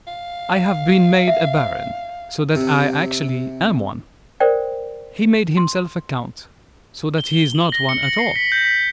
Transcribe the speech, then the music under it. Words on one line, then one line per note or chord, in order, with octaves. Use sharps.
"I have been made a baron, so that I actually am one; he made himself a count, so that he is not one at all."
F5
E5
C3
A#4 C5 D5 G5
C6
G7
G7
F#7
A#6
C#7
F#7
C7
B6
G6
B6